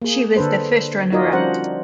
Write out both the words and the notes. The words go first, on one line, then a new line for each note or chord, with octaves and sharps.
She was the first runner-up.
A#3 G#4
D3 D4 A4 B4 C5
D#4 F4 F#4 A#4 D5 D#5
F3 G3 C#4 D4 C5 F#5